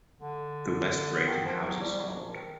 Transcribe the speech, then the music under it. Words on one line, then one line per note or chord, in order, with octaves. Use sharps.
The West Brighton Houses followed.
D3
D#3
F3
F#3
G3
F#3
F3
D#3